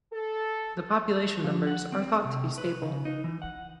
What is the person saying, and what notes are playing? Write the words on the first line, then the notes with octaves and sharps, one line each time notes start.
The population numbers are thought to be stable.
A4
F3
F#5
C4
C3
B4
C#3
D#4
E3
F#5